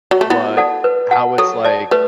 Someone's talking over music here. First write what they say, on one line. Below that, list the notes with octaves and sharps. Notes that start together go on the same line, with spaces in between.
but, how it's like
F#3
A3
B3 E4
A4 D5 F#5 A5
B4
F#5 A5
F#3 A4
D5 A5
A3 B4